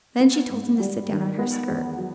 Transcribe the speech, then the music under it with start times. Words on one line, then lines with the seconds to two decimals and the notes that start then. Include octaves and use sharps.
Then she told him to sit down on her skirt.
0.20 B3
0.50 G#2
0.80 G3
1.09 D#3
1.39 B3
1.68 E2
1.98 F#3